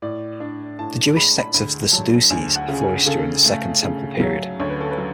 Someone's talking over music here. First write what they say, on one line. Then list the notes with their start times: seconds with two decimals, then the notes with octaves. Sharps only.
The Jewish sect of the Sadducees flourished during the Second Temple period.
0.02 A2 D5
0.40 D4
0.79 A2 A5
1.17 G#3 B5
1.39 B5
1.54 D2 B5
1.92 F#3 A5
2.30 D2 G#5
2.56 F#5
2.68 C#3
2.81 G#5
3.06 C#3 A4
3.45 A3
3.83 C#3
4.22 F#3
4.60 D2 C#5
4.70 B4
4.81 A4
4.91 B4
4.98 F#3